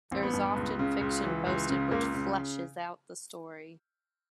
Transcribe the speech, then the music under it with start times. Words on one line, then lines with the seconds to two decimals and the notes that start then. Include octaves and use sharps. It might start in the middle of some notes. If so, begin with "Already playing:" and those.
There is often fiction posted which fleshes out the story.
0.11 A1 C4
0.23 B3
0.33 G2
0.56 C#2
0.79 C#3
1.01 C#2
1.24 E3
1.46 C#2
1.69 C#3
1.91 C#2 A#3
2.14 C#3